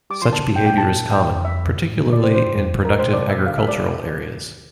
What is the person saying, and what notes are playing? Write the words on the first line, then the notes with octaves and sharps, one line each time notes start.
Such behaviour is common, particularly in productive agricultural areas.
G3 D6
F3 C6
D3 A5
C3
G5
A#2
G5
A5
A2 G5
F2
E5
G2
A2
A#2
A#2 D5
C3 C5
A#2 C5
G2
F2
E2
F2
A#4
G2
A#2 C5
C3 D5
A#2 E5
D3 F5
A3 E5
G3 D5